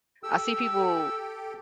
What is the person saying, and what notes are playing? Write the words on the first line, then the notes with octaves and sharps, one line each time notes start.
I see people
G4 A4 G5 E6